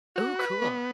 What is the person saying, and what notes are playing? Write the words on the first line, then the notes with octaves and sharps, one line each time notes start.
Ooh, cool.
F#4
B4
B3